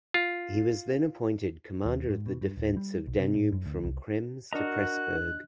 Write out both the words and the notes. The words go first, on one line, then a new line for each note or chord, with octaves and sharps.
He was then appointed commander of the defense of Danube from Krems to Pressburg.
F4
D#2
G#2
B2
G2
D1
G3
B1
C3
A2
F#2
D2
C2
D4 F#4 A#4 D#5 A#5 F#6